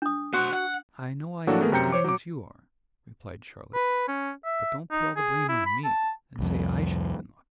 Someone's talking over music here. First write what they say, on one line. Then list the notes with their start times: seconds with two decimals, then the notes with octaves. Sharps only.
'I know I ain't as cunning as you are,' replied Charlotte; 'but don't put all the blame on me, and say I should have been locked up.
0.02 D4 D#6
0.33 F#4 C5 F#5
0.53 F#5
1.47 A2 F#3 A#3 D4 F#4 A4
1.61 A3 B3 G#4 A#4
1.72 F#2 C3 G5 A#5 G6 C#7
1.92 C5 C#5 D6
2.04 F#3 D6
3.74 B4
4.08 C#4
4.45 E5
4.91 D#4
5.17 G#4
5.49 E4
5.66 B5
5.84 A5
6.39 C2 F2